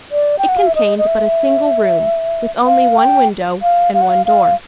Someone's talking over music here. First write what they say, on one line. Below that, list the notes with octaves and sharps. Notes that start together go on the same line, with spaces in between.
It contained but a single room, with only one window and one door.
D5
G5
F#5
F5
E5
D#5
D#5
E5
F5
G5
F5
F5
F#5
F5
F5